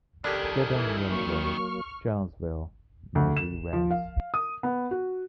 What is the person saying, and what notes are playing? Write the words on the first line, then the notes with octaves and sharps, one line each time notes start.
Sedan roadway, Charleville-Mézières.
F2 D#3 D4 G4 A4 A#4 G#5
E3
F#3 A#3 C#6 F6
D2
E7
F3
F5
D#6
B3
F#4